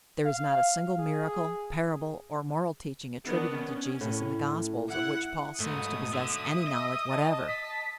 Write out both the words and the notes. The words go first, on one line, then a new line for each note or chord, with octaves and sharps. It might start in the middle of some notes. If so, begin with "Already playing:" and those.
There is not a single miracle, parable or moral teaching attributed to Jesus in the Gospels of which Paul seems to possess any knowledge whatever.
F5
G#4
D#3 B3 D4
C#4
A2
E4 F#5
G#2 B2 A3 D#6
D3 E5
D#5
A5
B6